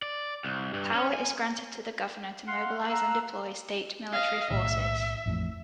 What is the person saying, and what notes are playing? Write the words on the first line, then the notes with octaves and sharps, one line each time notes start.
Power is granted to the governor to mobilize and deploy state military forces.
D5
C2
G2
C#4
G#5
F5 F#5 C6
F5 A#5 E6 F#6
D#5 F5
B1 A2 D#3 E5
A1 F2 A2